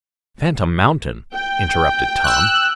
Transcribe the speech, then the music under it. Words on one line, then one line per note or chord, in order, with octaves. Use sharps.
"Phantom Mountain?" interrupted Tom.
G5
E6 F#6